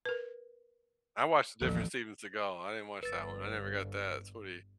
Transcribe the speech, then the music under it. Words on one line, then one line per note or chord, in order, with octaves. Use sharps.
I watched a different Steven Seagal, I didn't watch that one. I never got that, it's what he
A#4 B4
A1 D#2 F3 A4
G1 B4 A6